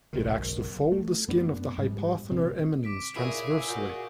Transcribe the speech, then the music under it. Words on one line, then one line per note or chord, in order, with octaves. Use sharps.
It acts to fold the skin of the hypothenar eminence transversally.
F#1 B1 G#2 D#3
A3
F#2 B3 D4
G#2 G3 G#3
D#1 C3 C4
D6 B6 D7
A#2 C#4 E4 G#4 E5 D#6 A#6
A#2 F#4 E6 G6